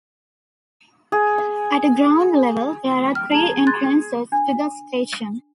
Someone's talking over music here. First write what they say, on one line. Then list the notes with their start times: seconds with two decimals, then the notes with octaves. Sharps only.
At ground level, there are three entrances to the station.
1.12 G#4
1.38 G#5
3.15 G5 F6
3.32 G#4 A5 A#5
3.67 C6 F#6 A6
4.32 D4